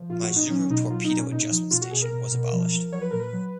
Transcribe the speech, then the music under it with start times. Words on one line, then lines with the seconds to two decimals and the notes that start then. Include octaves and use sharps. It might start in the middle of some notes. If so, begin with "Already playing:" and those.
Maizuru torpedo adjustment station was abolished.
Already playing: F3
0.09 A#2 F4
0.23 F#4
0.30 A#2
0.36 D#4
0.50 F#3 C#4
0.70 B2 D#4
0.90 F#3 F4
1.04 D#4
1.10 B2
1.18 C#4
1.31 A#2 D#4
1.51 F3
1.71 B2 F4
1.81 F#4
1.91 B2 G#4
2.02 A#4
2.12 B2
2.32 B2
2.52 F3
2.72 F3
2.92 F#3 C#5
3.01 B4
3.11 A#2 A#4
3.20 B4
3.33 F#3